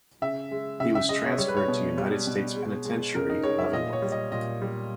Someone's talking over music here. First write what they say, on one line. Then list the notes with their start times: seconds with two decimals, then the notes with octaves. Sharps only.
He was transferred to United States Penitentiary, Leavenworth.
0.22 C#3 E5
0.51 G#3
0.80 C#3 E5
0.95 E5
1.09 G#3 D#5
1.25 C#5
1.38 G3 C#5
1.48 B4
1.57 C#5
1.68 B2
1.98 G3
2.27 B2
2.56 G#3
2.85 G#3
3.15 C#3 A#4
3.29 D#4
3.43 G#3 C#5
3.59 E5
3.73 A#2 D#5
3.93 C#5
4.02 G3
4.12 D#5
4.32 A#2 D#5
4.62 G3